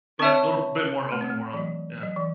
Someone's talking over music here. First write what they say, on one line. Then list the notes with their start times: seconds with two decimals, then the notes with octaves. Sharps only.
but little bit more open world. Yeah.
0.19 C4 C#5 E5 A5 C#6
1.12 A3
1.21 C4
1.30 A3
1.53 E3
1.57 F#3
2.03 F#3
2.16 E3